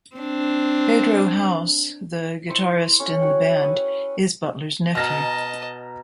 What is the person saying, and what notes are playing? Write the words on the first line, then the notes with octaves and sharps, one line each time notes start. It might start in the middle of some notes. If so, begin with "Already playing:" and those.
Pedro Howse, the guitarist in the band, is Butler's nephew.
C4 D4
E4 C5 C#6
C#4 A4 C#5 F#5
F#4 F#5 G5
B4 E5 D#6
B2 D#5 A5 A#5 F6 A#6